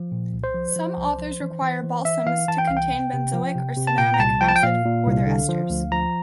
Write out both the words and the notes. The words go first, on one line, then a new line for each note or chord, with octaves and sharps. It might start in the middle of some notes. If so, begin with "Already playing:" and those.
Some authors require balsams to contain benzoic or cinnamic acid or their esters.
Already playing: F3
A#2
C2
C5
F3
F3
C2
F3
E3
E3
E3
E3 E5
E3 F5
E3 A5
G5
C2 F5
G5
C3
C3
F3
C3
C3
A5
A#2 G5
A#5
C2 A5
F3 G5
A5
G5
A#2 F5
A#2
C2
D3
F3
D2
F3 A#5